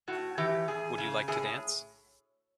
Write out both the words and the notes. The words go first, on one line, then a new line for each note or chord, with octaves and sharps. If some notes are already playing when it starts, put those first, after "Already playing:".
Would you like to dance?
A2 F#4
E3 G4
E2 G#4
C#3
A2 G#4